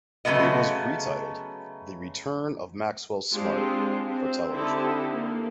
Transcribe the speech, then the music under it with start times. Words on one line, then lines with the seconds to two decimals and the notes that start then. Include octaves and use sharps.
It was retitled "The Return of Maxwell Smart" for television.
0.25 C#3 F#3 G#3 A3 B3 D#5
3.32 G#3 C4 D4 F4 G4
4.07 C4
4.50 D3 C4 D#4 E4 G4 A4
5.10 A#3